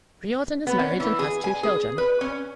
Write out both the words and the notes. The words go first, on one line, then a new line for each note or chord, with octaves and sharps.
Riordan is married and has two children.
B3
C#4
E3
G#4
G#5
G#4
B4
C#4